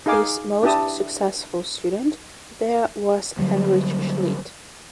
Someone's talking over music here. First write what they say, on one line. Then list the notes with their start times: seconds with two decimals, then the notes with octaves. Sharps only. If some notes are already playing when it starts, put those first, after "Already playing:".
His most successful student there was Heinrich Schlitt.
0.06 D#4 G#4 F5 G#5 D6
0.63 D4 E4 G4 A5 D#6
3.39 D3 F#3 G3